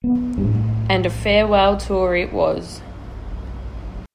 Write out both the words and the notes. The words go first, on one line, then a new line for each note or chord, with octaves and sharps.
And a farewell tour it was.
B3
G2
A2